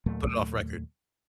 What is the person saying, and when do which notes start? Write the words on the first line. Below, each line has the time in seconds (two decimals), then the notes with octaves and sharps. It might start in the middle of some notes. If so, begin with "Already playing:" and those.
Put it off record."
0.06 D#2 A#2 F#3 A3